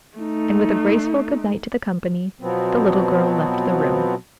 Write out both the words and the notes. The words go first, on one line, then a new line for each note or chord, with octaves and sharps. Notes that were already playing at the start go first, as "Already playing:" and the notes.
And with a graceful good-night to the company, the little girl left the room.
A3 D#4
B2 F3 F#3 B3 C4